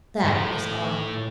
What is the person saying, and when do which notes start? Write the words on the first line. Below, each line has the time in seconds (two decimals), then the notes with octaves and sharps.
That is Art.
0.24 G#2
0.31 A2